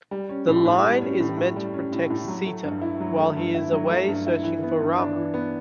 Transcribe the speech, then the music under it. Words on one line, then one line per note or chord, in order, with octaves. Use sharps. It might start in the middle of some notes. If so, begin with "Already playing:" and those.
The line is meant to protect Sita, while he is away searching for Rama.
G3
C#4
A2
A2
G3
C#4
A2
A2
G3
C#4
A2
A2
F#3
A3
G2
E4
F#3
A3
G2
E4
F#3
A3
G2
E4
E3
B3
G2
D4
E3
B3